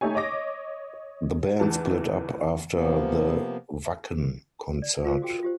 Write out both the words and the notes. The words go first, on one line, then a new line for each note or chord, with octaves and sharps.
The band split up after the Wacken concert.
A3 D#4 G4 C#5 G#5
C#5 D#5 D6 A#6
E2 E3 A5
C3 F3 A#3 B3
D5
F4 A#4 C5 F5
F#4 G#4 G5
F4 G4 C5